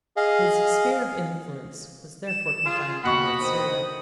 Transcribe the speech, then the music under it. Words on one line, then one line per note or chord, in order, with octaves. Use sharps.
His sphere of influence was therefore confined to North Syria.
G#4 D#5 F5
E7
F4 G#4
D#2 B2 D#5 F#5 B5 C#6
D2 D#3 C5 D#6